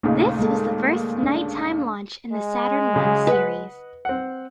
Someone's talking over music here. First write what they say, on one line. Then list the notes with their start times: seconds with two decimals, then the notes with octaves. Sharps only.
This was the first nighttime launch in the Saturn One series.
0.03 D#2 A#2 C#3 A3 D#4
0.39 G#3 A#3 A4
1.23 D4
2.32 G#3
2.93 C#3 F#3
3.27 B4 D#5 F#5
4.05 C4 F#5